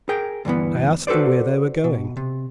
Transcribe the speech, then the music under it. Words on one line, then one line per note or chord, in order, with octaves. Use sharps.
I asked them where they were going.
G#4 A#4 G5
D2 G2 E3 B3
F#4 A4 B4 C5 D5
B2
C3